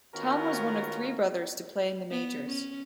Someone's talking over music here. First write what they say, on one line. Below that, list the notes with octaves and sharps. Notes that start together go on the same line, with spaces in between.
Tom was one of three brothers to play in the Majors.
D#3 B3 C#4 F4 F#4 A#4
B3
C#4